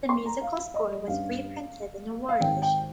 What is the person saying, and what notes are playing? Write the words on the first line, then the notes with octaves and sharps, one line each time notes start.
The musical score was reprinted in a war edition.
C6
A#5
F5
D#5
G2 G3 C#4 F5
F5
G#1 G#2 D#3 G5
G5